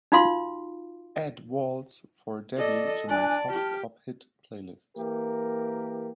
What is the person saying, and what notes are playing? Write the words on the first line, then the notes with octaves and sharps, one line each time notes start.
Add Waltz for Debby to my Soft Pop Hits playlist.
D#4 F4 F#4 F5 C6
A4 D5 D#5
D4 D5 G#5 A5 F#6
G4 F6
E3 A#3 G4 A#4